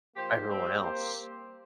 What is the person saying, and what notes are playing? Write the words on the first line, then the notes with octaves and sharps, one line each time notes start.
everyone else?
F3 A#3 G4 C5
G3 C4 G4
A#3 G4 C5